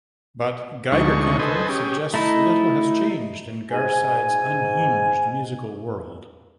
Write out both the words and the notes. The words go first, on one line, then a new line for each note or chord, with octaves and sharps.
But "Geiger Counter" suggests little has changed in Garside’s unhinged musical world.
D2 D3 G#3 D#4 C#6
A4 B4 C5 D#5 G#5
C#4 G4 G#4
A3 D#4 E4
G#2 G#5